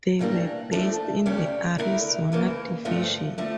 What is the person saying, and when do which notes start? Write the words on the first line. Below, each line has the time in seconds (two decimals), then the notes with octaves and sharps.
They were based in the Arizona Division.
0.19 A2 E3 G3 A#3 D4
0.72 F3 A3 D4 A4
1.26 D2 C#3 G3 C#4 G4
1.78 D3 A3 E4 A#4
2.32 D2 C#3 E3 A#3
2.85 G2 D3 F3 A3
3.38 D3 F3 A3